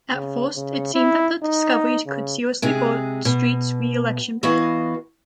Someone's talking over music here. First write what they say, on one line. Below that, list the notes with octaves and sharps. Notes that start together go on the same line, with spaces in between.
At first, it seemed that the discovery could seriously hurt Street's re-election bid.
C#3
C#3
E4
D#4
C#3
C3 G#3 G#4
B2
E3 B3 F#4 D#5 F5